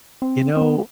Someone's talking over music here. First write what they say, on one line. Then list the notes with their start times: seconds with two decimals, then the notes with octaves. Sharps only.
You know,
0.22 C4
0.57 C4
0.62 B3